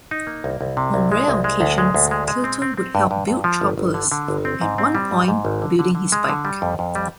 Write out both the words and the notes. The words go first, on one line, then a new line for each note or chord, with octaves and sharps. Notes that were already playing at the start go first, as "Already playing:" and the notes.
On rare occasions, Teutul would help build choppers, at one point building his bike.
D#4
A#3
C2
C2
C3
C2
G#3
C2
G#3
D2
G#3
D2
G#3
G#3
C4
C4
C4
G2
G2
G2
F3
G1
G1
D3
D3
G1
C4
G#2
C4
G3
G#2
G#2
G#1
D3
D3
D3
G#3
D3
G3
F2
F2
G3